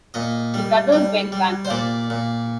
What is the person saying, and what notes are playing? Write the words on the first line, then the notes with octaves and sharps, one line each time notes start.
The brothers went bankrupt.
A#2 D#5
G3
G3
G3
C5
A#2 D5
A#2